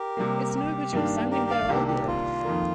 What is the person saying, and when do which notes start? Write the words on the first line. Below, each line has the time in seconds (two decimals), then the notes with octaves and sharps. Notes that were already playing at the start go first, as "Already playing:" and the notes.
It's no good your standing there arguing.
Already playing: G4 A#4
0.17 C3 G3 A#3
0.56 G4
0.93 G2 D#3 G3 A#3 D4
1.31 G4 A#4
1.50 D5 F5
1.69 C2 C3 D#3 A#3 D4 G4
1.87 G4
2.07 F4
2.45 F2 D#3 A#3